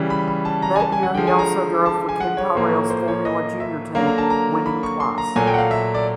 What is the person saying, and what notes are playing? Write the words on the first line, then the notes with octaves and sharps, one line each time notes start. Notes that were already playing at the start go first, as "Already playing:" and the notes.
That year he also drove for Ken Tyrrell's Formula Junior team, winning twice.
Already playing: C#3 E3 G3
B5
B5
A5
A#5
G#5
A5
G#5
F#5
D3 F3 G#3 G5
G#5
A#5
A5
G#5
F#5
C#5
A2 F3 A#3
C5
C#5
D#5
E5
D3 F#3 A#3 F5
A#5
A5
A#5
B5
C#6
C6
A#5
A#2 F#3 A3 G#5
G5
F#5
F5
E5
D5